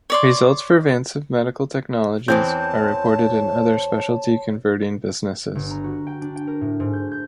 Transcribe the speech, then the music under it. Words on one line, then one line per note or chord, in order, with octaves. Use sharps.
Results for Vancive Medical Technologies are reported in Other specialty converting businesses.
C#5 D5 C6
E2 E3 C4 C5 C#5 A5 G6
G1
A#5
F#4
G5
D4
G5
A#4
A2
G#2
G6
G6